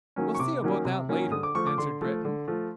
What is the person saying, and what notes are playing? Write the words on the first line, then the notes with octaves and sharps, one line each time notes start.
"We'll see about that later," answered Breton.
D#3 F#3 A#3 C#4
C#6
C3 D6
D#3 F#3 A#3 C#4
C3
D#3 F#3 A#3 C#4
D3 D#6
D6
F3 A3 C#6
D6
D3 C6
F3 A3
D3
F3 A3